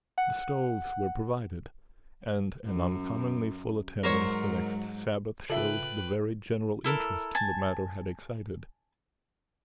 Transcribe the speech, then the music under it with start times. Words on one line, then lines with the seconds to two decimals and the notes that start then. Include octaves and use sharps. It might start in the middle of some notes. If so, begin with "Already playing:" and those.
The stoves were provided, and an uncommonly full attendance the next Sabbath showed the very general interest the matter had excited.
0.18 F#5
2.66 F#2
4.03 G#2 F#3 A#4 C5 C#5
5.50 C#3 F4 A4 B4 E5 G5 F#6
6.84 E4 A4 A#4
7.35 G#5 A5